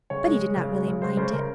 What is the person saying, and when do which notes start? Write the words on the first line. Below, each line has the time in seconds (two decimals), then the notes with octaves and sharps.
But he did not really mind it.
0.10 C#3 C#5
0.26 G#3
0.41 G#3
0.57 C#3
0.72 G#3
0.88 C#3
1.02 G#3 C5
1.17 C#3 C5
1.33 C#3 A#4